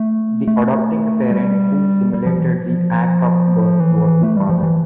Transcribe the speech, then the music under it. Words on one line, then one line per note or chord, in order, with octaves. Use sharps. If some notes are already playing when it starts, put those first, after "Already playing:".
The adopting parent who simulated the act of birth was the father.
Already playing: A3
A3
G3
G3
F3
E3
F3
E3
A3
G3
F3
E3